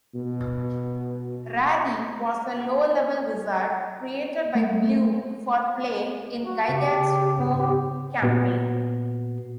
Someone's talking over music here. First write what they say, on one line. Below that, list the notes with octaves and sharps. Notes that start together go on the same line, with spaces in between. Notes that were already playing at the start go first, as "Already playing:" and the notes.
Rary was a low-level wizard created by Blume for play in Gygax's home campaign.
B2
A3
F#4
C#3 G4
G#2 B3
G4
A#2 B3 F#4